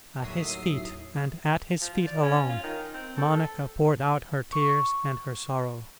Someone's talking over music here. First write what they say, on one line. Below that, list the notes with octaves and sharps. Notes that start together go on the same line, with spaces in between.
At His feet, and at His feet alone, Monica poured out her tears and her sorrow.
D#2 A2 F#3 E5 D#6 C7
F3
F4
D5
C#4
F4
D#3
C4
A4
C#6